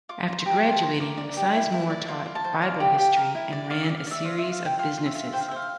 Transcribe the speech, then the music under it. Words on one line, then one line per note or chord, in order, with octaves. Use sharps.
After graduating, Sizemore taught bible history and ran a series of businesses.
F4 D6
C5 A#5
C6
G4 A#5
G5
C5
A5
C5 A#5
A#4 D6
D5
G4
E4
E4
D5
F4
F4
A5
C5
D5 F5
G4
G4
A#4
E4
D5
D5 F5
E5
D5
F5
D5 E5
C5 F5
E5
F4
F5
C5 G5
F4 F5
F4
E5
F4
C5 G5
F5
E5
C5 F5